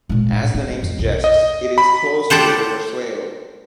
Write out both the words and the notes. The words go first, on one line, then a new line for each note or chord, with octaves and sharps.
As the name suggests it is close to the River Swale.
A#2 G#3
A2
C4 D4
F2
B1
D#5
B5
G4 A4 C5 F#5